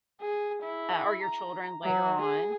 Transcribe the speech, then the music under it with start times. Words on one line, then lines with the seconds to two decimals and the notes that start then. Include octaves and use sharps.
uh, or your children later on.
0.21 G#4
0.63 E4
1.22 A#5
1.84 F#3
2.21 G#4